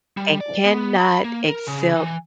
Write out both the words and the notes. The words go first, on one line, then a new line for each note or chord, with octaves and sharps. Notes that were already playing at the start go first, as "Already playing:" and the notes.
and cannot accept
G3
D5
B3
B5
A#3
A#4
C#3
E3